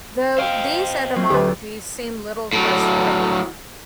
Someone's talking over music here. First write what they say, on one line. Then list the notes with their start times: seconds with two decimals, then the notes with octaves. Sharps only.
Though, these etymologies seem little trustworthy.
0.38 C5 D#5 F5 G5 D7
1.15 F#3 C4 F4
1.30 D2 G4 B4 A6
2.53 A2 F#3